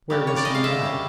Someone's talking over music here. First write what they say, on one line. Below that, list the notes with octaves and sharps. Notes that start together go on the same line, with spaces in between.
Where was he now?
G3 A#3 C#4
E3 C#5
D5
C#4 D#5
G#3 F5
D3 E5
G3 A#3 C#4